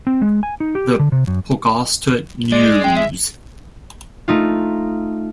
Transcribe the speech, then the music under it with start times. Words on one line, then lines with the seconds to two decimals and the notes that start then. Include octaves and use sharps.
"The Pogosta News".
0.07 C4
0.22 G#3
0.43 G#5
0.60 D#4
0.75 G4
0.99 D3
1.12 C3
1.27 F#2
2.52 G#3 D5
2.84 G5
2.96 E5
4.28 A3 D#4 F4